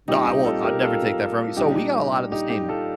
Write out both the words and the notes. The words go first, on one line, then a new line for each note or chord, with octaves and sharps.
No, I won't, I'd never take that from you. So, we got a lot of the same
A#2 G3 C4 D#4 G4
D#4 G4
F4 A4
G4 A#4
F4 A4
A#2 G3 D4 D#4 G4
D#4 G4
D#4 G4
F4 A4